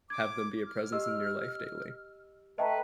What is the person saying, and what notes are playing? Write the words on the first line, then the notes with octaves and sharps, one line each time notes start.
have them be a presence in your life daily.
D6 G#6
F6
G4 D#5 E6
A3 B4 D#5 G5 A#5